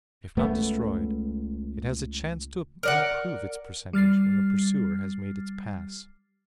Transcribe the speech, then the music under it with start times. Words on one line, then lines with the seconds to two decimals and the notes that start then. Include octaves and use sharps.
"If not destroyed, it has a chance to improve its percentage when the pursuer has made its pass."
0.37 C#2 A3 B3
2.83 A#4 D5 F#5
3.93 G3 F6 A6 C7